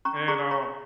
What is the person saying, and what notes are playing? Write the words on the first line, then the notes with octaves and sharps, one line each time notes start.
and, um,
C#4 A#5 C#6
G#4 A#5 C#6
C#5 A#5 C#6